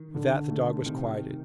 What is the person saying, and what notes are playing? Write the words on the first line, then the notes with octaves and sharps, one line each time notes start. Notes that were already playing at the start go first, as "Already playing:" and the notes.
With that the dog was quieted.
Already playing: D#3
D3
A3
C3 D#3